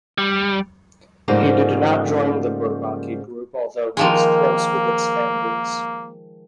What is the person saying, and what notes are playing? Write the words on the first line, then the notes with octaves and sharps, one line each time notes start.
He did not join the Bourbaki group, although he was close with its founders.
G3
G#2 C#3 F3 G3 A3 A#3
D#3 F3 G#3 A#3